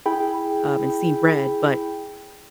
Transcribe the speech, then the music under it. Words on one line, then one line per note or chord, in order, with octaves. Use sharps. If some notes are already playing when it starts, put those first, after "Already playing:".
um, and see red, but
E4 G#4 G5 B5